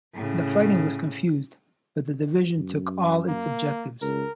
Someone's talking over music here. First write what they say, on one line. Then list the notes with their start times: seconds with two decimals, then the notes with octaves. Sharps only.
The fighting was confused, but the division took all its objectives.
0.14 A2 C#3
2.57 F#2
3.28 A#3
4.02 C#2 A#4